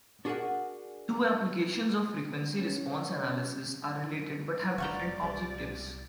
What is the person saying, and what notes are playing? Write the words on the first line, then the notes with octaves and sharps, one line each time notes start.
Two applications of frequency response analysis are related but have different objectives.
D4 F#4 G#4 A#4 D5 F#5
C#4
F1 D5 F5 F#5 A#5 B5 C#6 G6
C2 G3